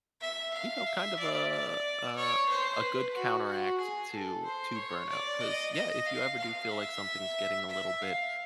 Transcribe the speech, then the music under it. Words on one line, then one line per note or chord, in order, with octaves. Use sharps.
you know, kind of a a a good counteract to to burnout. 'Cause yeah, if you ever do feel like something's getting a little bit,
E5
F5
E5
D5
D5
C#5
C5
B4
F#4
F#4
G#4
A4
C5
C#5
D5
D#5
D#5
F5
F5
E5
E5
F5